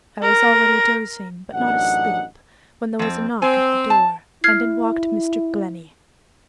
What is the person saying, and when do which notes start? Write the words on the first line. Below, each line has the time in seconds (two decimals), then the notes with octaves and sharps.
I was already dozing, but not asleep, when there was a knock at the door, and in walked Mr. Glennie.
0.22 A#4
1.53 A1 F#2 D4 D#4 F#5
2.99 F2 C4
3.42 C4 G#5
3.90 A5
4.44 E4 F6 G#6 C7